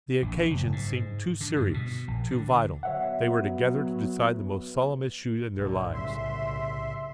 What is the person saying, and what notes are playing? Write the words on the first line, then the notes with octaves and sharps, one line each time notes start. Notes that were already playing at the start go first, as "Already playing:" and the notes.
The occasion seemed too serious, too vital. They were together to decide the most solemn issue in their lives.
A#1
F#1
G#2
D3
G2
B2
A#1
D3
F#3 B3 C#5 E5 F#5
B1 F#2 A2 D3
C2 C#3 E5 C6